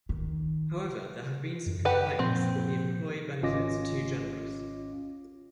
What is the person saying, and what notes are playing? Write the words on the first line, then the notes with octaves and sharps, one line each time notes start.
However, there have been some complaints that the employee benefits are too generous.
D#3
F#2
G4 B4 F#5
A#2 F3 C4 G6
G#1 C#4 F4 D#5 D6 A#6